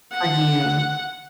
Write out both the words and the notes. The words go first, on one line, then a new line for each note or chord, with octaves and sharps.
for you.
F#5